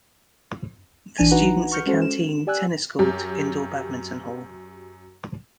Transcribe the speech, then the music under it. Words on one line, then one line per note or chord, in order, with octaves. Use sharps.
The students a canteen, tennis court, indoor badminton hall.
A#1 E3 D4 D5 G#5 D#7
D#4 F#4 B4 F#5 A#5
C#6 F6 G6 C#7
G#3 C#4 F#4 A4 C5
E7
G4 D5 G#5 E6 F#6
F#2 G4